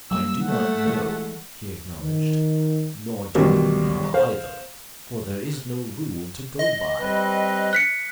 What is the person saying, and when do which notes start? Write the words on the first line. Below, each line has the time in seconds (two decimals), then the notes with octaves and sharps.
"I do not know," he acknowledged; "nor do you know, either, for there is no rule to go by."
0.11 F#3 G3 A#3 E6
0.44 A3 F#5
0.87 E3 G#3
2.01 D#3
3.35 A1 B2 D#3 F#3 G3
4.14 C5 F5
6.59 D#5
7.00 G3 C4 B4
7.73 F#6 B6 C#7